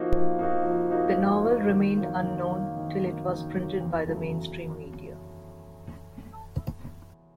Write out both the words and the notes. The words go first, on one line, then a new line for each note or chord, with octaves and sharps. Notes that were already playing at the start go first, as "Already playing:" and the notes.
The novel remained unknown till it was printed by the mainstream media.
Already playing: F3 A#3 D#4 F#4
F3
A#3 D#4 F#4
F3
A#3 D#4 F#4
F3
A#3 D#4 F#4
D#3
F#3 A#3
D#3
F#3 A#3
D#3
F#3 A#3
D#3
F#3 A#3
E2
C#3 F#3 A3